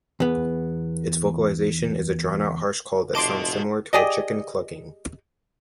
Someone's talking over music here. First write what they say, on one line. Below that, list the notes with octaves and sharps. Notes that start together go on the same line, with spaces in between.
Its vocalization is a drawn-out harsh call that sounds similar to a chicken clucking.
E2 B3
F1 F#4 D#5 A5 C6 D6 D7
G4 G#4 D5 D#5